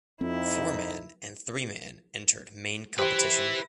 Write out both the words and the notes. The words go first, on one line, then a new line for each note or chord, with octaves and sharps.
Four man and three man entered main competition.
F2 C4 D#4 E4
E4 G4 B4 C5